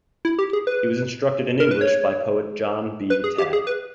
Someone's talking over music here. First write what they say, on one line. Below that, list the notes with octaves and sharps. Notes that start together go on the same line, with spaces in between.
He was instructed in English by poet John B. Tabb.
E4
G4
G#4
B4
A#4
B4
C#5
B4
G#4
G4
G#4
B4